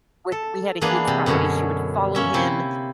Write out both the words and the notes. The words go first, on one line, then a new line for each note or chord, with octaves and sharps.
would we had a huge property- she would follow him,
A4
E3 A#3 B3 D4 G#4 B4
C3
F#2 B2 D3 C#4 E4
A#3 C#4 E5
C3 E4 C5